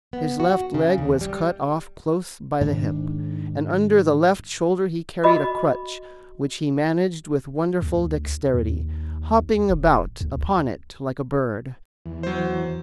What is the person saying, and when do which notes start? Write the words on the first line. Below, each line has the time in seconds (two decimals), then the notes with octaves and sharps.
His left leg was cut off close by the hip, and under the left shoulder he carried a crutch, which he managed with wonderful dexterity, hopping about upon it like a bird.
0.13 B3
0.40 F#4
0.74 C#3
0.98 D#2
1.21 G3
2.61 G#2 D#3 D4
5.24 F#4 D#5 B5 D6
7.82 D2
8.54 D#2
9.70 D#1
10.21 D2
12.06 E2
12.23 F#3 C5